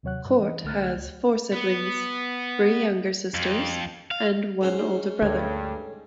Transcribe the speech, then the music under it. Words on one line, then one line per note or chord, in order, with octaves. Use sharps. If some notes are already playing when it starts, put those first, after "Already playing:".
Cort has four siblings-three younger sisters and one older brother.
D#2 C3 F#3 C#5 F#5 F#6
G2 G3
E3 D#5
C2 D3 A3 F6 F#6 A6
C#2
B3
F2
F5
G#2 C#4 C5
D2 G2 A4 C#5 G#6